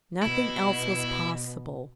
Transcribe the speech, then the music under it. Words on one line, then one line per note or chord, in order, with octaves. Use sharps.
Nothing else was possible.
B2 E4